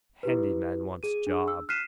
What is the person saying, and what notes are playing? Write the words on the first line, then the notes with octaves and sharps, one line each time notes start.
Handy man wants job.
E4 G4 B4
G#4 D#7
D4 G#4
E6
F6 F#6 B6 C7 D#7 E7